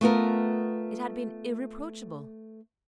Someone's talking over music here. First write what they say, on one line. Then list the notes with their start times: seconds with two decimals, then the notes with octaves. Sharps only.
It had been irreproachable.
0.01 A3 B3 F4 A#4